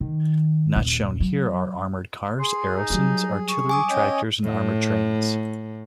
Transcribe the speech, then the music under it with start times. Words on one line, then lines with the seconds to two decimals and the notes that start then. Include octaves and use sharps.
Not shown here are armoured cars, aerosans, artillery tractors and armoured trains.
0.01 D#3
0.76 D#1
1.20 F#3
2.39 G#4 C6
2.77 D#4
2.90 F#3 G3
3.49 C#6
3.69 G#5 D6 D#6
3.90 C#4 C#5 D#5 G5
4.44 A2